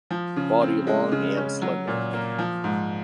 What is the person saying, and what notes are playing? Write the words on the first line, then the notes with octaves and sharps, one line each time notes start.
Body long and slender.
F3
C#3
C4
G#3
C#3
C#4
F#3
A#2
A#3
F3
G#2